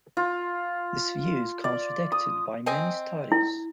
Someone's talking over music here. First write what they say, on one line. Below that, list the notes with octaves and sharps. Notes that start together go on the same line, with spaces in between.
This view is contradicted by many studies.
F4
D5
D#6
C4 D#5 G#5
E4